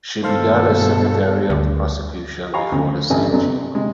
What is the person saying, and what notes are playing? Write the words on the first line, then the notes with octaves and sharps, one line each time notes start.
She began as secretary of the prosecution before the same chamber.
G2 B2 D#3 A4 C5 F5
D2
D#5 F5 G#5 A#5 B5 C#6
D2 C#3
A1 G2 A3 D#5 E5 G#5
F#2 F#3 A4 D5
C3
C3 G#3